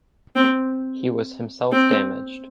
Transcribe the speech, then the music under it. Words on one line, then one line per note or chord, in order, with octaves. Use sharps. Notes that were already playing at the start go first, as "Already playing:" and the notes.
He was himself damaged.
C4
C4